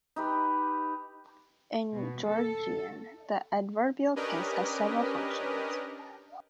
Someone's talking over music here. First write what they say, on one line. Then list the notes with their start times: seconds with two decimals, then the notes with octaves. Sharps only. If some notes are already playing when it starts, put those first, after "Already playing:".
In Georgian, the adverbial case has several functions.
0.16 D#4 G4 B4
1.94 B2
2.26 A4
4.16 C#4 D4 G4 A#4 B4 D#5